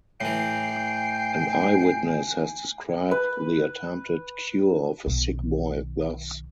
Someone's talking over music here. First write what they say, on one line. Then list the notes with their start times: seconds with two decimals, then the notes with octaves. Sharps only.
An eyewitness has described the attempted cure of a sick boy thus.
0.21 A2 E3 G5 G#5 C7
3.11 B4
5.06 B1 D#3